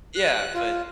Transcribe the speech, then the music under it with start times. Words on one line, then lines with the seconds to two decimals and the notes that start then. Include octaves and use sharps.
Yeah, but
0.15 F#6
0.54 F4